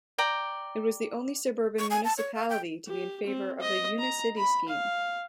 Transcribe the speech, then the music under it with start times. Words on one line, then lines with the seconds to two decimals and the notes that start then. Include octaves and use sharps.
It was the only suburban municipality to be in favour of the "unicity" scheme.
0.18 D5 G5 A#5
1.79 C#6
1.90 G#5
2.04 A5
2.18 C#5
2.35 F5
2.49 G5
2.87 G4
3.27 C4
3.61 D#5
3.99 A#5
4.37 B5
4.68 F5